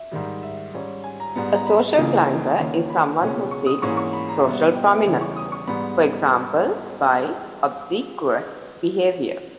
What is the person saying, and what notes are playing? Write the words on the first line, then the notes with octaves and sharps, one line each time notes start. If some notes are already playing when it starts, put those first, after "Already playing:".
A social climber is someone who seeks social prominence, for example by obsequious behavior.
Already playing: E5
G#2 D#3 G3
E5
G#2 G3 C#4
G#5
A#5
G#2 G3 B3
A#5
B5
C#2 C#3 E3 A#3
D#2 D#3 A#3 C#4
B5
C#2 B2 G#3 C#4
C#6
D#6
G#2 E3 A#3 C#4 C#6
C#6
B5
A#5
B2 G3 B3 E5
G5
E5
E2 C#3 E3 G3 C#4 E5
C#6
D#6
C#6
G#2 G3 B3 B5